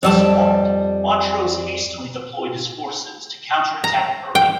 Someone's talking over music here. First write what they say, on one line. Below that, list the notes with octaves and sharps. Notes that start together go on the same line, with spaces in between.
Thus warned, Montrose hastily deployed his forces to counter-attack Urry.
F2 G3 A5
A#5
G5